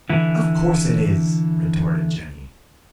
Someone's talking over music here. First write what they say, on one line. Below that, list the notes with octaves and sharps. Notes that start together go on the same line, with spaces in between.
"Of course it is," retorted Jenny.
D3 E3 E4